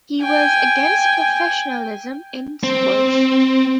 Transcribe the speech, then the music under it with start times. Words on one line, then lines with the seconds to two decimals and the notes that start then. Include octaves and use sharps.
He was against professionalism in sports.
0.22 G5 G#5
2.63 C4